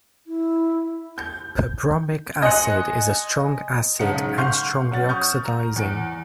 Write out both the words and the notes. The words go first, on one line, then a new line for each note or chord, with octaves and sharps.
Perbromic acid is a strong acid and strongly oxidizing.
E4
G6
D#5 G#5 C6 F#6 C#7
B1 G#2 C#3 D#4 F#5 C#7
F5 F#5 C6 C#6 F6 G6
F#3 C#4 F#5 A6
C#6 D#6 F6 G6
A#5
E2 D7